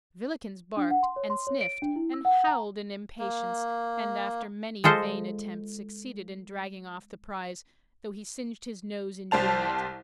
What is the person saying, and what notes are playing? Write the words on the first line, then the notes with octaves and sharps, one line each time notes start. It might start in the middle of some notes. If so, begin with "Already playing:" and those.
Villikins barked, and sniffed, and howled in impatience, and after many vain attempts succeeded in dragging off the prize, though he singed his nose in doing it.
D4
F#5
C6
C#5
C6
C#5
D7
D4
E4
E6
F#5
A#5
A#3
G#3 F4 A4 C5 D#5
C2 G3 C5 A5 F7